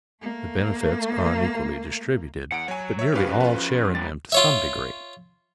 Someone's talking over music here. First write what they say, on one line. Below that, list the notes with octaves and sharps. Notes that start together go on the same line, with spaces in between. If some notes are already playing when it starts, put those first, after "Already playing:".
The benefits are unequally distributed, but nearly all share in them to some degree.
A3 A#3
E2 F#5 D7
F#3 C#5 G#5
C#5 E5
F3 C#4 G4 B4 F5
F4 B4
D#3 G3 A6
F4 C#5 E5